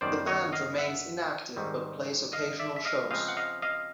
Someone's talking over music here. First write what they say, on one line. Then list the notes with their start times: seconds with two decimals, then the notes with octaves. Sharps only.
The band remains inactive, but plays occasional shows.
0.01 F#2 D#3 G3 B3 C5 D5
0.27 C#5 D#5
0.53 D#5 F5
0.78 E5 F#5
1.56 G#2 D#3 G3 C4
2.33 D#5 F5
2.59 D5 E5
2.76 E5
2.85 D#5 F5
3.10 C#3 F3 G#3 C4 D#5 F5
3.28 F#5
3.37 D#5 F5
3.62 D#5 F5